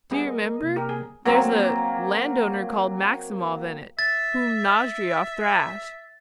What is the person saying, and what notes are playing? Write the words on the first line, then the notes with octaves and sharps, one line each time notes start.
Do you remember, there's a landowner called Maximov in it, whom Nozdryov thrashed.
G3 B3 G4 G#4 E5
A#4 D#5
C3 A#3
G4 A#4
G#4
F#3 A#3 C4
E5 A6